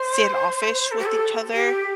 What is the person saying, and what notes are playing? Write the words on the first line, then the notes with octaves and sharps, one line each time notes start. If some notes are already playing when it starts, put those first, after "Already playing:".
standoffish with each other,
Already playing: C5
A4
G4
A4
G4